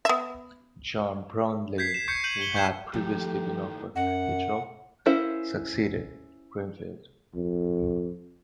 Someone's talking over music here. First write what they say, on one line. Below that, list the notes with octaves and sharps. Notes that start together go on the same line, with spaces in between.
John Brownlee, who had previously been offered the job, succeeded Greenfield.
B3 E5
G6 G#6 B6 C7
E7
C#6 G6 G#6 C7 C#7
G6 D#7 F#7
G7
C#6 G6 G#6 C7 E7
A2 D#3 F3 A3 G4
F#2 F#5
C#4 E4 A#4 C5 F5
F2